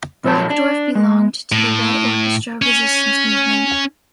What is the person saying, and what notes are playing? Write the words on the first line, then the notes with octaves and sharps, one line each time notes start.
Brockdorff belonged to the Red Orchestra resistance movement.
A#2 F3 F#3 C#5 A5
D4
G#3
A2
C#4